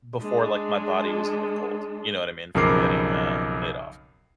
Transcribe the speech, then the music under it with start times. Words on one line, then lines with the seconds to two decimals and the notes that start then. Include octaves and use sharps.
before, like, my body was even cold, you know what I mean, from getting, uh, laid off,
0.21 G#3 D4
2.55 B1 F2 C#3 A#4 D6 C7